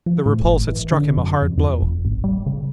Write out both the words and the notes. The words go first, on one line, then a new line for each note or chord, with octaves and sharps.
The repulse had struck him a hard blow.
F3
A2
G1
E3
D3
F#2
F2
F2
F1
A1
G3
C#3